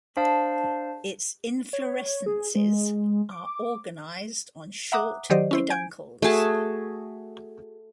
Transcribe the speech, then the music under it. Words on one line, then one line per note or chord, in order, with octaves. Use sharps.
Its Inflorescences are organized on short peduncles.
D4 C5 F5 A5
C#5
G#4
G#3
D6
E5 F#5 A#5 D6 D#6 F#6
D#3 F#3 G4 C5 D5 D#5
C#4 E4 C5
G#5 G6 G#6 D7
A3 F#4 G#4 A5